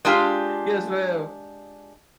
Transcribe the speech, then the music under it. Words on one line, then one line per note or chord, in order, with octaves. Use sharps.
Yes, ma'am.
G#3 D4 F4 G4